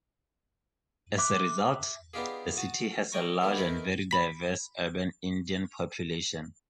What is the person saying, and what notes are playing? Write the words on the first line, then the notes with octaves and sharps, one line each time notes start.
As a result, the city has a large and very diverse urban Indian population.
E5 C6 D6 F#6
B3 D4 D#4 F4 G4 G#4
F#4 A5 D#6
D5 D#5 G5 G#5 A#5 C#6
D3 D#3 G3 B3
D#3 A3 D#4 A#4 B4
B5 B6